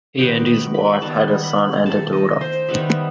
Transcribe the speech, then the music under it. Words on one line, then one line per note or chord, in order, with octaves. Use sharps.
He and his wife had a son and a daughter.
D#3 F#3 B3 G5
B5
B5
D#3 G3 B3 A5
B5
D#3 A3 A5
D#5
C5
D#3 G3 B3 E5